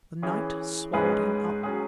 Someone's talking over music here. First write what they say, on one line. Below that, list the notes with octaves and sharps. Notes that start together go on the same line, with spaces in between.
The night swallowed him up.
E3 C#4 G#4
G#2 G#3 C#4 G#4 B4
F#3 C#4 G#4